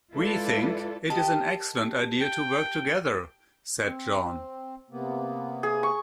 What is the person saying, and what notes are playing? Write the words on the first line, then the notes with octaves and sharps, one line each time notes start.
"We think, it Is an excellent idea to work together," said John.
G#3 E4 F4 A4 B4 D5
G4 A#4 D#5 A5
G5
C4
C3 A#3 B3
G#4
C#6